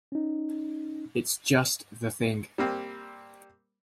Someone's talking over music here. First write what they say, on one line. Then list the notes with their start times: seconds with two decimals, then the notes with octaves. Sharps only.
It's just the thing.
0.12 C#4 D#4
2.58 G3 A#3 C4